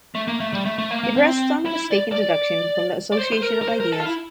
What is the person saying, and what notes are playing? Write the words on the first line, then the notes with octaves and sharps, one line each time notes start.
It rests on a mistaken deduction from the association of ideas.
A3
A#3
A3
G3
A3
A3
A#3
A#3
C4
E4
D5
D5
D5
C5
C5
A#4
A#4
C5
A#4
A4
F4
E4